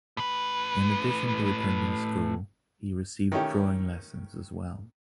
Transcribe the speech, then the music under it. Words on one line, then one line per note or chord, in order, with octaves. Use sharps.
In addition to attending school, he received drawing lessons as well.
A2 B4
D#3 A3 C#4 G4